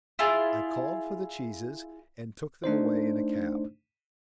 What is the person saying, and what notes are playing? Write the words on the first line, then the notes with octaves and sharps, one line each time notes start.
I called for the cheeses, and took them away in a cab.
E4 F4 G#4
A3 D4 D#4 C5